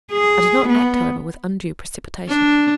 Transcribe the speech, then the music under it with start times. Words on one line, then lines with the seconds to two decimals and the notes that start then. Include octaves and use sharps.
I did not act, however, with undue precipitation.
0.13 G#4
0.69 B3
2.29 D4